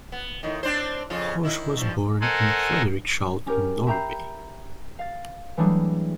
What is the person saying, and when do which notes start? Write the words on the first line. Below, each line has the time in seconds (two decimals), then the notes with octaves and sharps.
Hauch was born in Frederikshald in Norway.
0.12 B3
0.43 A2 D#3
0.63 C4 D4 C5
1.10 F2 C#3 F4
1.43 D#3 E4
1.77 G2 F3
2.21 A4 A#4 C5 D#5 F#5 G#5
3.46 C#4 G4 A#4
3.87 E5 G5 A#5 B5 G6 C7
4.99 F5 A6
5.57 E3 F#3 G3 A3 D4 G#4